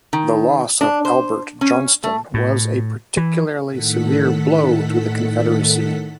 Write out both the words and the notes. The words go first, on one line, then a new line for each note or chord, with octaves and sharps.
The loss of Albert Johnston was a particularly severe blow to the Confederacy.
D#3
D4
C5
C#4
A3
A2
E3
A2 D#3 A4 F#5 B6